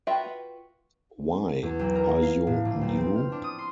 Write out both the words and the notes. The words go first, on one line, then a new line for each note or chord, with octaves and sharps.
Why, are you new?
F4 F#4 B4 E5 G5
E2
B1
A#4
F5
A2
A#1
B1
C4
F6
D4
D#6
C6